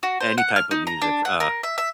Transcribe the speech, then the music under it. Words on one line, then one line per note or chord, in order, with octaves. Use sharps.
any type of music. Uh,
F#4
C5
F#5
F6
D#4
A#5
D4
F#5
A#4
E5
E5